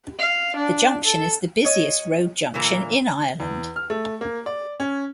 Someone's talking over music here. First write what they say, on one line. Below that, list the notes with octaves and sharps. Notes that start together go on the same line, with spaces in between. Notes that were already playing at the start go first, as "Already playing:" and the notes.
The junction is the busiest road junction in Ireland.
F5
D4
A4
C#5 D#5
A#2 D3 E3 A#4
E2
F6
A3
A#3
D5
C#4